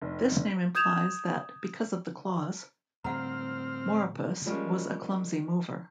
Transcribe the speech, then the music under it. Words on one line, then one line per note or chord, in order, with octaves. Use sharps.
This name implies that because of the claws, "Moropus" was a clumsy mover.
F1
D#6 G6 G#6 E7 F7
A2 D3 G3 C4 F5 F#5 A#5 F6
F3 G3 G#3 A#3 C#4